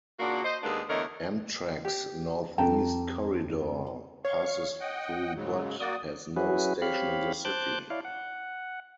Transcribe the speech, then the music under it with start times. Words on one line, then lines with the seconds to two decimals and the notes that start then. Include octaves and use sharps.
Amtrak's Northeast Corridor passes through but has no station in the city.
0.20 A#2 C#3 A#3 D4 F#4
0.44 C5 D#5
0.63 D#2 G#3 A#3 B3 D4
0.89 E2 D3 A3 A#4 C#5 D#5
1.85 G4
2.58 F2 A4 G5 A5 A#5
4.25 C#5 F5 C#6
4.80 D#5 F#5 G5
5.36 G#2 C#3 F#3
5.80 A#3 F#4 D5 D#6
6.36 F#3 C#4 E4 F#4 G#4 B4
6.82 C4 G4 C#5 F5 B5
7.45 C5 A5 D6 F#6 G6
7.90 E4 C#5 D5 F5
8.05 F#5